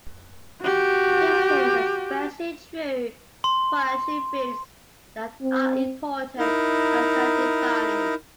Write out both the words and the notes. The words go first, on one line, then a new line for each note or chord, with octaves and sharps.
This is especially true for attributes that are important and self-defining.
F#4 G4
C6
C4
D#4 E4 A#4